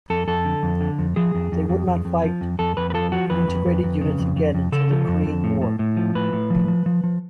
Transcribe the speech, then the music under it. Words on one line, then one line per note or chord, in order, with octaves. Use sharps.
They would not fight in integrated units again until the Korean War.
F2 A4
F2 A4
D3
F2
D3
F2
F3 G#4
F2
F2
F2
F2
F2
F3
F2
F2 A4
F2 B4
B4
F3 A4
F3 F#4
F2 B4
F2
F2
F2
C#3
F2
F2
F2
C#3 A4
F3
F2
F2
A2
A2
A2
F3
A2 B4
A2
F3
F3
F3
F3